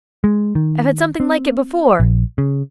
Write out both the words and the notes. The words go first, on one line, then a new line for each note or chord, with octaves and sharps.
'I've had something like it before.
G#3
D#3
C4
A#1
C#3